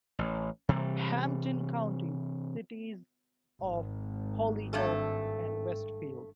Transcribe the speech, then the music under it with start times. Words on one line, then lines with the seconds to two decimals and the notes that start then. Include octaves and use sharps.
Hampden County: Cities of Holyoke and Westfield.
0.19 A1
0.69 C3 E3 G3
3.61 G#1
4.73 G2 A3 A4